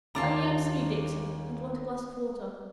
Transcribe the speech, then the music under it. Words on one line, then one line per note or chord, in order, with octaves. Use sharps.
Only I'm silly, Dixon, and want a glass of water.
D#2 C#4 F4 A5 A#5 D6